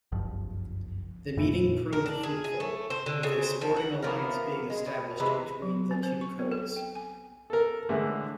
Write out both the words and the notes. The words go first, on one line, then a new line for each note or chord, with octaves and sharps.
The meeting proved fruitful, with a sporting alliance being established between the two codes.
F#1 C2 G2 F3
F2 A#2 E3 A3
A#4
D4
G#4
G#4
A3
C5
D3
C#3
C5
F3
F#5
E3 F3 B3 A#4
G#3
B2
C3 E3 G#3 B4
F#3
C4
C5
C#6
B3
A4
G5
G#5
A4 A#4
A2 D3 E3 G#3